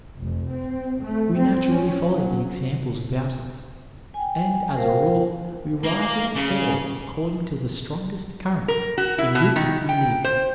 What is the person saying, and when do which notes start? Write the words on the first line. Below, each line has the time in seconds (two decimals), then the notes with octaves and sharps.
We naturally follow the examples about us, and, as a rule, we rise or fall according to the strongest current in which we live.
0.21 F1
0.52 C4
1.03 A3
1.37 C4
1.69 C#4
2.10 F#3
4.14 G5 G#5
4.76 A#4 C5 F5 G5
5.83 A#3
6.35 C#3
8.68 A#4
8.98 F#4
9.18 E4
9.35 B2
9.56 D#3
9.89 G5
10.24 C5